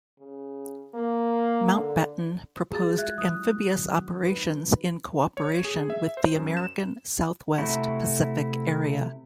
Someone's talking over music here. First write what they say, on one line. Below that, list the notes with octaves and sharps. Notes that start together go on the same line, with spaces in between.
Mountbatten proposed amphibious operations in cooperation with the American South West Pacific Area.
C#3
A#3
D3
G3 F4 F#4 G#4 A6
G#3 E5 F#6 G#6
F#3 E4 D#6 F#6
D#3 F#3 F#4
D#4 B4
C#5
G#4
E5
C5
F#2
E7
C3 A3 E4 F#4